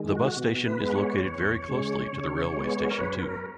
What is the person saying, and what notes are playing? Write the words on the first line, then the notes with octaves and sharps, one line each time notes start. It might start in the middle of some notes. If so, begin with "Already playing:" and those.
The bus station is located very closely to the railway station too.
Already playing: D#3 G#3
F#4
B2
B4
G#3 B3 B4
C#5
E2
C#3 G#3
C#3
G#3 B3
A#4
F#2 B4
B4
A#4